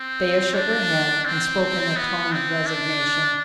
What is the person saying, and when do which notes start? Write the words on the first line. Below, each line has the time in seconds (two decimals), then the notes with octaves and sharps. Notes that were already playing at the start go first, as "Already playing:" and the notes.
Thea shook her head and spoke in a tone of resignation.
Already playing: C4
0.54 D4
1.25 C4
1.96 B3
2.32 C4
2.66 D4